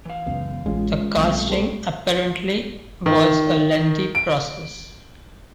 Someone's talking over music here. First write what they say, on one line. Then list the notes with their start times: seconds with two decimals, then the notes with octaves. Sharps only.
The casting apparently was a lengthy process.
0.05 E3 F5
0.27 C#2 F#2 B3
0.66 A1 G#3 C#4 F4
1.16 B1 A#2 A3 C4
1.50 G4 A4 C5
3.06 D#3
4.15 D7